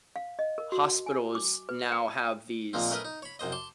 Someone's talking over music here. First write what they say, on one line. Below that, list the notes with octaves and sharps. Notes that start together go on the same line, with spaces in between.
hospitals now have these,
F5
D#5
A#4
F#4
G#5
D6
B4
G5
A#2 F3 G#3 A#3 C4
A3 C#4 A#4 B4 D#5
D#4
C#5 B5
C2 F#2 C5 D#5
A5 C6 D6